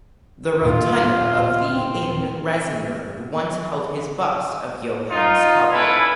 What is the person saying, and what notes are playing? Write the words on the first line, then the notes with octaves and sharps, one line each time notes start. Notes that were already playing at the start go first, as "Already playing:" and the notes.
The rotunda of the in Regensburg once held his bust of Johannes Kepler.
D#2 A#2 F4
C4
D#4 F4
C#4 E4 A4 B4 G#5 B5